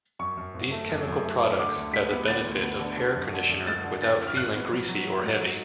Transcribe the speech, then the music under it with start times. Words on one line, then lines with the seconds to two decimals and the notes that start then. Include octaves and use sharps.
These chemical products have the benefits of hair conditioner without feeling greasy or heavy.
0.19 F#2 C#6
0.37 F#2
0.54 G#1
0.71 A3
0.89 F#2
1.07 F#2
1.24 A3
1.41 A3
1.58 D3 D6
1.76 D2
1.93 G#3 B6
2.11 B3
2.28 D3 A6
2.46 D2
2.62 B3
2.80 D3
2.97 D3
3.14 F#2
3.33 D3
3.49 F#2
3.67 G#3 A6
3.84 D3
4.02 C#4 A6
4.19 C#4
4.27 F6
4.36 G#1 F#6
4.54 B3
4.71 F#3
4.88 F#3
5.06 F#3
5.23 G#2
5.41 F#3